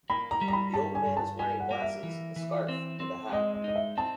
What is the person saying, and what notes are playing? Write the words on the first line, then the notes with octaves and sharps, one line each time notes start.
The old man is wearing glasses, a scarf, and a hat.
A#3 B5
A#5
G3
A#5
B5
G2 A5
G#5
G2
A5
G3 G#5
F#5
A#3
E5
E3
E3
C4
C4
G#3 D#5
D#5
D#4 D#5
E5
C4 A5